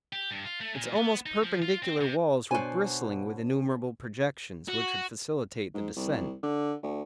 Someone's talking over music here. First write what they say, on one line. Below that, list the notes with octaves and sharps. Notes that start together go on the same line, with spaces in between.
Its almost perpendicular walls were bristling with innumerable projections which would facilitate the descent.
G4
G2
F4
A3
A#2
B3
D#4
F3
F4
C4
C3
B2 D4 C5 C#5 G#5
F#4
G#2
C2
D3
D2